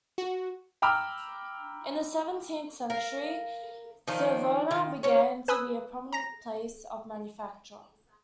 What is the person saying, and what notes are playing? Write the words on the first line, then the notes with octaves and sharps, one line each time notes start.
In the seventeenth century Savona began to be a prominent place of manufacture.
F#4
G5 A#5 B5 D6 E6 F6
A#4 F5
D#3 F3 D4 D#4
D#3
D#3 C#4 C#5
B4 G#5 B5 D#6 E6
A#5 A#6